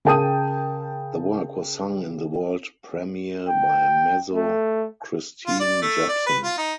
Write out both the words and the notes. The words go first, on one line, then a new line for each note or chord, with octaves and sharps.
The work was sung in the world premiere by mezzo Kristine Jepson.
C#3 A#4 G5 A5 D#6 D#7
G5
A3
F4
D5
A3
D5
B4
F4
D#4